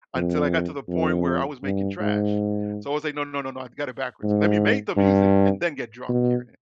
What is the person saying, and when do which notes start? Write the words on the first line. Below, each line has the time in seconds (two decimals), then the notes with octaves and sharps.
until I got to the point where I was making trash. So I was, like, no, no, no, no, I've got it backwards. Let me make the music and then get drunk hearing it.
0.15 F2
0.89 F2
1.63 G2
2.00 G#2
4.23 G#2
4.97 G2
6.09 B2